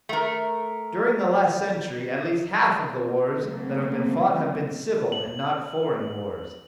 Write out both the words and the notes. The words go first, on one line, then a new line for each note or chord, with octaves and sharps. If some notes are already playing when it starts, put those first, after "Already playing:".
During the last century at least half of the wars that have been fought have been civil and not foreign wars.
A3 A#4
C#3 F#3 A3 A#3 C4
F#7